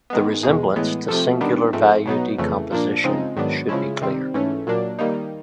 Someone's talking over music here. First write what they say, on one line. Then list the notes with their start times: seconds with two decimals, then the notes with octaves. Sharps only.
The resemblance to Singular Value Decomposition should be clear.
0.10 D#3 G#3 B3
0.43 E2 B2 G#3
0.76 A2 E3 G#3 B3
1.08 C3 F3 A3
1.41 D#3 G3 B3 D4
1.73 G#2 F3 A3 C4
2.06 B2 F#3 B3 D#4
2.38 F2 C#3 E3 A3
2.71 A#2 F3 A#3 D4
3.04 C#3 F3 G#3 C4 D#4
3.37 G#2 D#3 F#3 B3 D4
3.69 C#3 F3 G#3 C#4 E4
4.01 C3 D#3 G3 C4
4.34 G#2 E3 A3 C#4
4.67 A#2 F#3 A#3 D4
4.99 D#3 G3 A#3 D#4